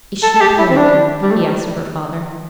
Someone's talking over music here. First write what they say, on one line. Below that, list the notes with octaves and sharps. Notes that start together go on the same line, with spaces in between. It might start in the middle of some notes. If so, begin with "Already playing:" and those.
Is she at home?' he asked of her father.
A4
A4
G4
E4
C4
D4
G3
A3